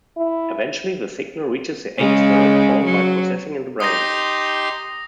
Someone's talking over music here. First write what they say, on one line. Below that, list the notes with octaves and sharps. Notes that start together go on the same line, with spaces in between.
Eventually the signal reaches the eighth nerve, followed by processing in the brain.
E4
C#3 G#3
F#3
D#4 G4 C6 D#6 A#6